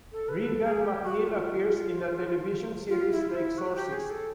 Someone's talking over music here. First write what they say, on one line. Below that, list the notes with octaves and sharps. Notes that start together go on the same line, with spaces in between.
Regan McNeil appears in the television series "The Exorcist".
A4
B4
A4
G#4
G4
F#4
F4
F4
E4
F4
E4
F#4
G4
G#4
A4